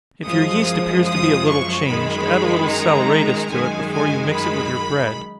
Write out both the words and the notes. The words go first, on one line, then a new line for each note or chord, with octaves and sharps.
If your yeast appears to be a little changed, add a little saleratus to it before you mix it with your bread.
F#2 F3 G#3 D#6
D#6
C#6
F#2 D#3 G#3 B5
A#5
F#2 D#3 G#3 G#5
G#5
B5